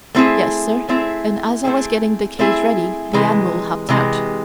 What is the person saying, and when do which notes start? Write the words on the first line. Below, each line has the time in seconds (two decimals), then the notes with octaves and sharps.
"Yes, sir; and as I was getting the cage ready the animal hopped out."
0.15 A3 C4 E4 G#4
0.89 A3 C4 E4 G#4
1.64 A3 C4 E4 G#4
2.39 A3 C4 E4 G#4
3.13 C3 E3 G#3
3.89 C3 E3 G#3